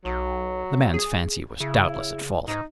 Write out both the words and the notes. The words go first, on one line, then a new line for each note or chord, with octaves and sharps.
The man's fancy was doubtless at fault.
B1 F#3
G#4
C#3 E4
G#2 D#4